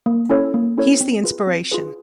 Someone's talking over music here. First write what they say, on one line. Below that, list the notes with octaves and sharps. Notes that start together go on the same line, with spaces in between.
He's the inspiration.
A#3
C#4 E4 A4 C#5
A#3
C#4 E4 A4 C#5
C4
F4 G#4 B4
C4
F4 G#4 B4